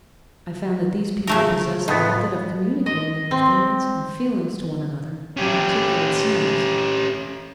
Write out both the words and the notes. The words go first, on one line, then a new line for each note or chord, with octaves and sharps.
I found that these people possessed a method of communicating their experience and feelings to one another by articulate sounds.
C#3 A3 A#4
F2 A2 B3
D#5
C4
C#4 G4